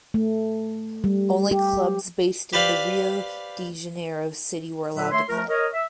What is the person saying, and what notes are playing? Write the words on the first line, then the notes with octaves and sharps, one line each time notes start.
Only clubs based in the Rio de Janeiro city were allowed to play.
A3
G3
G4
G4 B4 C5 D5 F5 B5
A#2 F#3 A4 B4 E5
A3 C#5 E5 C6
F3 A3 F4 A#4
A#4 C#5 D#5
E5